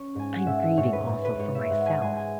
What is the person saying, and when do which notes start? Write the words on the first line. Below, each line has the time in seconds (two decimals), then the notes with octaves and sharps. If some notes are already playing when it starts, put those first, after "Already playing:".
I am grieving also for myself.
Already playing: C#4 C#5
0.15 G#2 G#5
0.33 F#5
0.46 G#2 E5
0.62 E5
0.77 G#2 C#5
0.93 B4
1.08 G#2
1.24 B4
1.39 G#2 C#5
1.55 E5
1.70 G#2 F#5
1.86 G#5
2.01 G#3 G#5
2.17 G#5